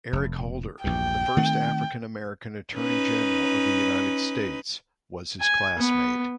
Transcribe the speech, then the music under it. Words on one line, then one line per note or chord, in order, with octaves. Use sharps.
Eric Holder, the first African-American Attorney General of the United States, was his classmate.
F1
A#1 E2 G2 G5
D#3 A3 C4
C#4 D#4 B4
G#5
B3